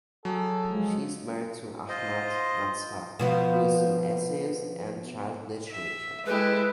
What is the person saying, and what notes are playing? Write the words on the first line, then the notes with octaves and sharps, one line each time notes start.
She is married to Ahmad Mazhar who is an essayist and child literature.
F#3 G#4 A4
F3 G#3
F4 C5 D#5
B2 F3 B3
E5
G#3 E4 G4 A4 B4